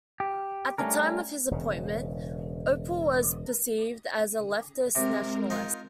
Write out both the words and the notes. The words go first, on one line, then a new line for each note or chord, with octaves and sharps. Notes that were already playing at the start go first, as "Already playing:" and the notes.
At the time of his appointment, Ople was perceived as a "leftist Nationalist".
G4
G3 A3 C#4 D4 A#4
E1 C#3
C3 G#3 C4 A#4
D#4 F4